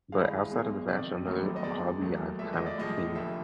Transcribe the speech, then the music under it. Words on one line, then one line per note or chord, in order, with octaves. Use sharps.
but, outside of the fashion, another o hobby I've, kind of been
G#1 G2 E3 G#3 F5
B1 B2 G#3
F2 C3 D#3 D5
F1 D#2 D#3 F#3 A3
D#5
E2 B2 G#3 D5
D#2 D#3 F#3 A3
G#1 G#2 F3 A3 E5
D#5
D5
A1 A2 F3 G#3 D#5
F1 D#2 D3 F3 E5